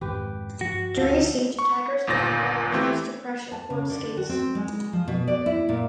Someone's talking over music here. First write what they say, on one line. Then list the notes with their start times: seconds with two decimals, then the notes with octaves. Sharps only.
During a siege, attackers would employ elephants to crush a fort's gates.
0.01 F2 G#2 D#3 G4 B4
0.61 G2 F3 F#4
0.97 D2 F3 A4
1.59 C#6
2.07 G1 D#2 A#2 A6 A#6
2.72 E3 A3 C4 E4 G4
3.52 A5
3.70 C#3
3.90 D3
4.17 F#4
4.29 C4
4.55 G#3
4.93 F3
5.08 B2
5.28 D5
5.46 E4
5.69 A#2